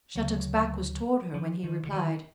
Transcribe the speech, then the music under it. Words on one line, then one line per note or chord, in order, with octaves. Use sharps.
Shattuck's back was toward her when he replied.
D2 C#3 F#3
F3
D#3
D3
D#3